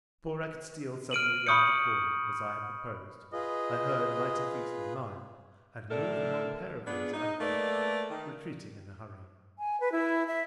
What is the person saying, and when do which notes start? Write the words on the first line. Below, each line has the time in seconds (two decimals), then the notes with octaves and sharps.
Before I could steal suddenly round the corner, as I had proposed, I heard lighter feet than mine--and more than one pair of them as I thought--retreating in a hurry.
1.11 F6 D7 D#7 F#7
1.47 B5 C#6 D#6 G6 C#7
3.33 F4 G#4 B4 D#5
5.90 A2 A3 D4 A4 A#4
6.87 B3 D4 F4 G#4
7.14 D#4
7.41 A3 A#3 A4 B4 D5
8.10 D#3
9.58 G#5
9.80 B4
9.92 E4
10.28 E5